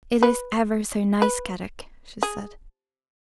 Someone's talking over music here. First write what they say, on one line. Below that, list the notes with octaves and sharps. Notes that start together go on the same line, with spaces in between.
"It is ever so nice, Kadok," she said.
B4
B4
G#4